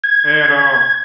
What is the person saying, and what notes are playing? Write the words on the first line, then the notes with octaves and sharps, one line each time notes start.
and, um,
G#6